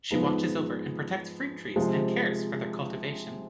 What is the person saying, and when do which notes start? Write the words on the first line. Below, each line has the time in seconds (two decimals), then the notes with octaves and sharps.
She watches over and protects fruit trees and cares for their cultivation.
0.11 G#2 F3 G#3 B3 D#4
1.76 C3 F3 G#3